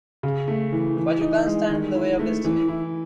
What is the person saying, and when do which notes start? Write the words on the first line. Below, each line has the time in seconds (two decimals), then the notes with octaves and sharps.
But you can't stand in the way of destiny.
0.23 C#3
0.48 A3
0.72 E3
0.97 E3
1.21 D#4
1.46 G#3
1.70 D#3
1.95 E4
2.19 A3
2.45 E3
2.68 E4